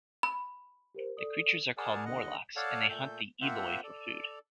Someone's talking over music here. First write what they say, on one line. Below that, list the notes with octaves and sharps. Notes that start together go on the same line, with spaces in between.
The creatures are called "Morlocks" and they hunt the Eloi for food.
B5
G4 A#4 C5
A4 D5 D#6
G#4 A#4 D5 F#5 G#5 A5
D#2 D3 D#5 F#5
A4 C#5 D5 F5 F#5 A5
A#2 A3 A4 G6
A#3 C4 F4 C5 E5 F#5
A4 D5